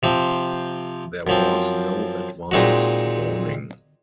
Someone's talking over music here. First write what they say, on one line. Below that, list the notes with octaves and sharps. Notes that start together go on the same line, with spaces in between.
There was no advance warning.
C3 F3 C4
F#2 F3 C4
A#2 G#3 C4 D#4 F#4